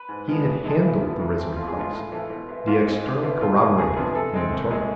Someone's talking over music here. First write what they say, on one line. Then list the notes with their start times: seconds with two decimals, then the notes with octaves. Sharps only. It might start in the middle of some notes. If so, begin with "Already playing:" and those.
He had handled the Risen Christ, the external corroborated the internal.
Already playing: B4
0.09 G#2
0.28 F3 G#3 B3
0.45 E2
0.64 C3 G#3 D4
0.82 E2 E4
1.01 D3 F3 B3
1.19 F2
1.38 E3 A3 C4
1.56 B2 F4
1.68 G#4
1.75 G#3 D4 F4
1.93 A2
2.12 E3 A3 E4
2.30 B2
2.49 B3 E4
2.67 G#2 F4
2.86 G#3 C4
3.04 E2
3.23 B2 B3 E4
3.41 C3 F4
3.60 F3 G#3
3.78 F2 G#4
3.96 C3 F3 B3 D4
4.15 C3 A4
4.34 G#3 C4
4.52 C2
4.70 C3 G#3